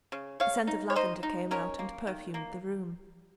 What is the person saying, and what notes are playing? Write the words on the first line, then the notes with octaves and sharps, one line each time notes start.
The scent of lavender came out and perfumed the room.
C#3
C#3 C#5 F5
D#4
C#5
D#4 C5 D#5
D#4
C#4 A#4 C#5
A#3
D#3
A#3